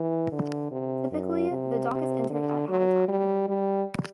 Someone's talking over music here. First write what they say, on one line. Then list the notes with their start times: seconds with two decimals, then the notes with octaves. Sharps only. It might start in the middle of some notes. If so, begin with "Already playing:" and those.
Typically the dock is entered at high tide.
Already playing: E3
0.32 D3
0.71 C3
1.12 F#2
1.51 C3
1.90 C3
2.30 D3
2.69 F#3
3.08 G3
3.48 G3